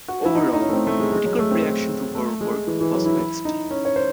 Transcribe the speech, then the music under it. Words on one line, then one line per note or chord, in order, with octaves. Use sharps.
Overall, critical reaction to her work was mixed.
F#4
E4
D#4
D#4
C#4
A3
C4
A3
G#3
G#3
F#3
A3
C4
A3
A3
G#3
E3
E3
F#3
E4
E4
D#4
C#4
C#5
C5